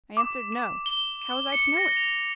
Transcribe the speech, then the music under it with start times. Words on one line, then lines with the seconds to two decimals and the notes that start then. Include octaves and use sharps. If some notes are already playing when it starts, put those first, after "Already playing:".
I answered, No; how was I to know it?
0.17 D6
0.52 E7
0.86 G7
1.22 E7
1.52 C#7
1.77 A#6
1.97 F7